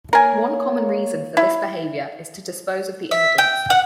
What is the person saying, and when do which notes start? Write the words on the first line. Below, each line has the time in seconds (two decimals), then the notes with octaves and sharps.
One common reason for this behavior is to dispose of the evidence.
0.13 A#3 A#4 C#5 G#5
1.37 E4
3.11 E5
3.38 G5
3.70 F#5